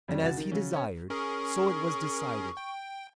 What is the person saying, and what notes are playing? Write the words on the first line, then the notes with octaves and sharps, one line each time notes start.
And as he desired, so it was decided.
F2 F#3 G3
C#2 F#4 A6
D#3
C#3 F#3 C#4
C#4 C#5
C#4 G#4 A#4 C#6
G5